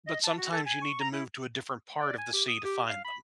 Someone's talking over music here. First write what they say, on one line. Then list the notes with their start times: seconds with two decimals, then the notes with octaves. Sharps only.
but sometimes you need to move to a different part of the sea to find them.
0.07 D#5
0.24 A5
0.37 F#4
0.52 A4
0.66 G#5
0.82 C#6
1.00 A#5
1.12 E4
2.00 D5
2.18 G#5
2.33 G4
2.48 D#6
2.64 G4
2.89 F5
3.04 B5